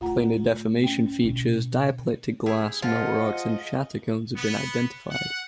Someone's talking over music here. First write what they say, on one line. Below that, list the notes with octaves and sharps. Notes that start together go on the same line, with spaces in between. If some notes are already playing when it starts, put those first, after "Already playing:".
Planar deformation features, diaplectic glass, melt rocks, and shatter cones have been identified.
D2 A2 F4 F#5 A#5
C#4 G5
B2 D3
E4 G4 G#4
F3 F4 D#5 F#5
B3
F#5